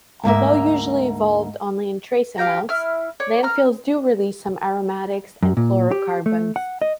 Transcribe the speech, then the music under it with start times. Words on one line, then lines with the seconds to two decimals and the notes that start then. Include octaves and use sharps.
Although usually evolved only in trace amounts, landfills do release some aromatics and chlorocarbons.
0.24 D2 G#2 A#3 E5
2.38 G4 F5 G5 A#5
2.69 E4 F6
3.20 C#5 D5
3.43 A#5 F6
5.43 F#2
5.57 A#2
5.91 G4
6.26 A3
6.56 F#5
6.82 D#5